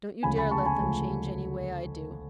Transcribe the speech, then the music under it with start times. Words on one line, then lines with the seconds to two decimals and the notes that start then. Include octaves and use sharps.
Don't you dare let them change any way I do.
0.23 D2 C#3 F3 G#3 G#5 B5
0.38 G#5 B5
0.51 A5 C#6
0.65 G#5 B5
0.80 D2 C#3 F3 G#3